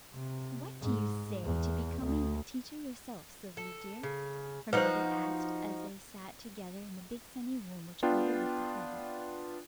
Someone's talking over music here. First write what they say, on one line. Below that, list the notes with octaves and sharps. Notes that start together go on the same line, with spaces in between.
"What do you say to becoming a teacher yourself, Sylvia dear?" her mother asked, as they sat together in the big sunny room which overlooked the harbor.
C3
G#2
E2
D2
A4
C#3
F3 D#4 F#4 B4 C5
B3 D4 F4 G5